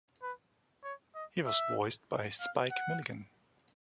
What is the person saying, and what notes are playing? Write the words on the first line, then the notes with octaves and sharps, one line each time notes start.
He was voiced by Spike Milligan.
B4
C#5
D#5
E5
F5
F#5